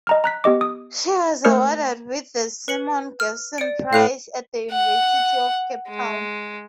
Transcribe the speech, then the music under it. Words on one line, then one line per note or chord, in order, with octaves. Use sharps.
She was awarded with the Simon Gerson Prize at the University of Cape Town.
D#5 A#5 F6
A#5 F#6 B6
B3 G4 D#5 D6
D#6
A3 A#3 A#4 C5 F6 C#7
B4 C#7 F#7
F6
D5 C#7 D7
A2 F5 F#6 F7
F#5
G#3